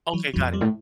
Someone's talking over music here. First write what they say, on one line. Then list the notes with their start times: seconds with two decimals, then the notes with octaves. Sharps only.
Okay, got it.
0.13 E3 F#3
0.34 F#2 E3 F#3
0.40 F2
0.53 F3 G3
0.61 A2